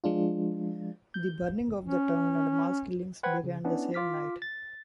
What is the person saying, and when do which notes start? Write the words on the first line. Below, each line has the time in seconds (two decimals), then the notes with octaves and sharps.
The burning of the town and mass killings began the same night.
0.04 F3 G#3 D4 F4
1.14 G6
1.84 C#4
3.23 B4 C5 F#5 G5 B5 G#6
3.43 C#3
3.64 B3 C#4 D4 E4
3.94 F4 D6 F6 B6
4.42 A6